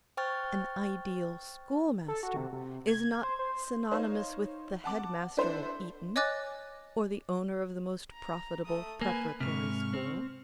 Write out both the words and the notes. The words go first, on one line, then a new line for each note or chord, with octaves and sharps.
An ideal schoolmaster is not synonymous with the Headmaster of Eton or the owner of the most profitable preparatory school.
C5 G5 C#6 F6 A6
A4
F#4
C3
C3
G#6
C5
C5
D#4 C5 C#5 F5
F#5 A5 D6
D4 E4 A4 B4 C5
C#5 D#5 G#5 D6 F#6 A6
A#5
A3 D#6
A#3 B4 G#5
G#2 C3 C#6 F6
C4